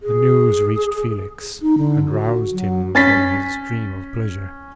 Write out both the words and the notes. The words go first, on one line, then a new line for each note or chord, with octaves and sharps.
The news reached Felix and roused him from his dream of pleasure.
G#4
D#4
D3
F#4
F#3
C#4 A6 B6